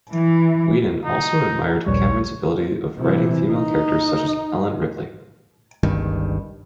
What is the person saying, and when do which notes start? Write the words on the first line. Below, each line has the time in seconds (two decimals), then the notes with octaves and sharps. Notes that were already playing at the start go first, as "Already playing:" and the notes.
Whedon also admired Cameron's ability of writing female characters such as Ellen Ripley.
0.12 E3
1.05 D#4
1.86 A#1 D#2 G3 C#5
2.98 C3 E3
3.52 D#4
5.83 G1 C#2 G2 D#3